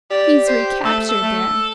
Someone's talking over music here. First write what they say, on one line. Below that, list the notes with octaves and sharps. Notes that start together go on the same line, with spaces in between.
He's recaptured, there!
G4 D5
C5
A3 A4
A4
A3